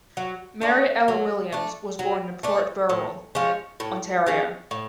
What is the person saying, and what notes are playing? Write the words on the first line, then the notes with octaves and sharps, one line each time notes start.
Mary Ella Williams was born in Port Burwell, Ontario.
F#3
A3 D4
F#3
A3 D4
F#3
A3 D4
A2
F3 G#3 C#4
A2
F3 G#3 C#4
A2